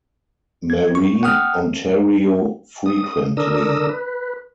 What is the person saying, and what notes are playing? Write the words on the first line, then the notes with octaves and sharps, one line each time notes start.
Marie, Ontario frequently.
G#6
C#6
F#5 G5 D#6 F6
D#6
D3 D4 A#4 D#6 E6
B4